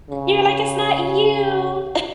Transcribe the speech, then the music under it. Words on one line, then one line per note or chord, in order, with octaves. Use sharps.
you're like, "It's not you."
C#3